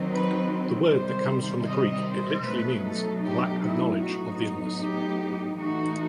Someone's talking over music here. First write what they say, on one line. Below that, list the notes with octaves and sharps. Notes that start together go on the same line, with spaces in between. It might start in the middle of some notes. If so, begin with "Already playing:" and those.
The word that comes from the Greek, it means literally "lack of knowledge of the illness."
Already playing: D#3 F#3 C4 D#4
B4
C3 D#3 G3 C5
D#5
C5
B2 F#3 A3 D#4 B4
A4
G4
E4
A2 F#3 B3 D#4 F#4
G4
A2 E3 A3 D#4 F#4